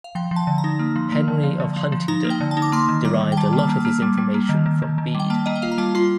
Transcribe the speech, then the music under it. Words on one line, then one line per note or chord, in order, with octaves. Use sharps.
Henry of Huntingdon derived a lot of his information from Bede.
F5
F3 G5
F3
A5
D3
A#5
D#4
A#3
F3
A#3
D3
F3
D3
F3
F3
D#4 A#5
A#3
G5
D3
A5
D#4
D6
A#3 C6
D#3
G3 A#5
D#3
G5
G3 A5
A#3
A5
A#3
A#3 A5
G3
G3
A#3
D#3
D#3
D#3
D#3
G3
G5
A#3 A5
A#3 D#5
G5
F4 F5
A#5
G3 A5
F4 C6